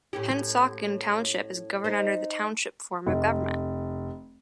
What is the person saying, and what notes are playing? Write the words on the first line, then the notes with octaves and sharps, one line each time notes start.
Pennsauken Township is governed under the Township form of government.
A2 C#4 G4
D#4 C5
F1